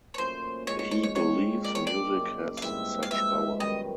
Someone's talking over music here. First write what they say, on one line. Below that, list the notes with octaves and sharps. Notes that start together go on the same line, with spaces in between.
He believes music has such power.
C#5
A#2 F#3 A3 C#4 C5
G#2 F3 G#3 C#4 C#5
C#5
C#5
C#5
C#3 F3 G#3 C4 C#5
G3 A#3 D#4 D5
C#5
D5
F#2 C#3 F#3
F5
G#2 E3 G3 C4 E5
F5
F3 G#3 B3 E5
F#2 D#3 G3 D#5